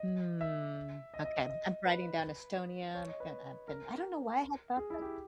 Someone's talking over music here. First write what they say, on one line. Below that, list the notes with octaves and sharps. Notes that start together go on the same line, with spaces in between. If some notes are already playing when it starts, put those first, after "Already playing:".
Mm, okay I'm writing down Estonia, then I've been I don't know why I had thought that
Already playing: D#5
E5
D#5
D#5
D#5
D#5
B4
C#5
D#5
B4
A#4
G#4
E4
G4